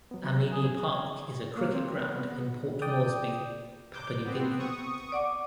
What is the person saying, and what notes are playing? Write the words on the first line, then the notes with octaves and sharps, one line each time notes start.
Amini Park is a cricket ground in Port Moresby, Papua New Guinea.
F#3 B3
G#4
A#3
C4
B3
B3
D5 G5 D#6
D6 G6
B3 C4
C#6 D#6
D5 F#5 D6